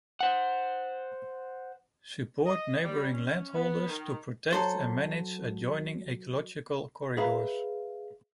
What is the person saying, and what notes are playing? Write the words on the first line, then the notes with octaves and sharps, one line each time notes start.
Support neighbouring landholders to protect and manage adjoining ecological corridors.
C5 F#5
D#5
G3
C#4
B3
D#3
F#3 A4 C5
G#4 B4 E5 F5 A#5